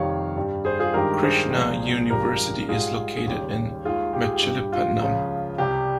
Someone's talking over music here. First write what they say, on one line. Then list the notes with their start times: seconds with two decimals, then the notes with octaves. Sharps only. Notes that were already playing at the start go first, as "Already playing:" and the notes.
Krishna University is located in Machilipatnam.
Already playing: F2 C3 D#3 G3 C#5 F5
0.36 G2 G3
0.65 G#4 C5
0.79 F4 G#4
0.94 G2 D#3 G#3 G4 A#4
1.23 G#4 C5
1.52 C2 A#2 F3 G#3
2.10 G2 F3 G#3 G4 A#4
2.68 G#2 G3 F4 G#4
3.17 G#4
3.26 D#2 C#3 G3 G4
3.85 D#2 D#3 G#3 F4 G#4
4.13 G4
4.24 G#4
4.33 G4
4.42 G2 G3
4.72 F4
5.00 C#2 C#3 F3
5.58 C2 C3 G3 G4